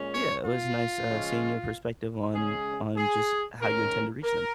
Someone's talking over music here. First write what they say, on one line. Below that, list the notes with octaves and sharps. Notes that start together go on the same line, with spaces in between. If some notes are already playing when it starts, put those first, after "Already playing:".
Yeah, it was nice, uh, seeing your perspective on on just how you intend to reach them.
Already playing: A#2 G#3 C#4
C#5
F4
C#3 F3 G#3 C#4
C#3 G#3 C#4 G#4
G#4
G#2 D#3 C#4 A#4
A#4